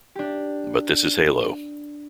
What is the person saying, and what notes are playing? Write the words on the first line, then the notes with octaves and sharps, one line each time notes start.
But this is Halo.
D4 G4